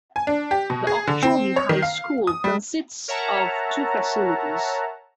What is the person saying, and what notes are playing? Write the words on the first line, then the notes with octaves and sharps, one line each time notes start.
The Okeechobee High School consists of two facilities.
G#5
D4
G4
B2
G#4
D3
C4
C#5
D#3
F5
D#6
G3
A#4 C#5 E5 F#5 A5 A#5